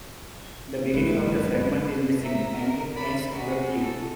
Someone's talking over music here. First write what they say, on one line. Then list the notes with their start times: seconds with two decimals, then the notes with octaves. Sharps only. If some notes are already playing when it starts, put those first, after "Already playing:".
The beginning of the fragment is missing, and it ends abruptly.
0.93 F#1 G2 A#2 G#3 B4
2.22 E5 A#5
2.57 A#4
2.95 D5 B5
3.31 F#4 G#4
3.80 A4